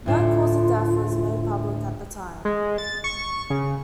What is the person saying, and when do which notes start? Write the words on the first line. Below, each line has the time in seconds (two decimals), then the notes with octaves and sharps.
No cause of death was made public at the time.
0.06 D2 A2 D4 F4
2.45 G#3
2.78 A6
3.04 C#6
3.50 C#3